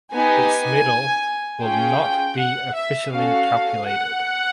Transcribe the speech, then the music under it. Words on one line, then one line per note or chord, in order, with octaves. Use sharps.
Its medal will not be officially calculated.
B3 D#4 G4 G#5
C#4 F4 G#4 G5
F#5
E5
C#4 F#4 A4 F5
F#5